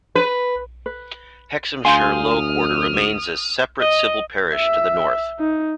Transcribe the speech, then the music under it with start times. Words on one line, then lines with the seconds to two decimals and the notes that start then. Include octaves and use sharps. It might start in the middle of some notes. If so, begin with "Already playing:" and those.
Hexhamshire Low Quarter remains a separate civil parish, to the north.
0.15 B4
0.86 B4
1.85 D2 D4 F5 G#5 C6 D#6 F6 G6
3.80 D#5
4.55 E5
5.39 D#4